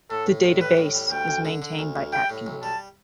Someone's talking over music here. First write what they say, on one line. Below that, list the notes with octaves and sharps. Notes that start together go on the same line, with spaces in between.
The database is maintained by Atkins.
A2 A4
A2
A2
G3 B4
A2
G3
D2 G5
D2
D3
D3
D2
D2
G3 G5
A2
B1
G3 A5